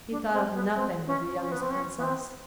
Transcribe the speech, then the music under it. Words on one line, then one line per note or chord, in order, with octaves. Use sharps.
He thought of nothing but the youngest Princess.
D4
C4
B3
C4
C#4
C#4
B3
C4
C#4
B3
C4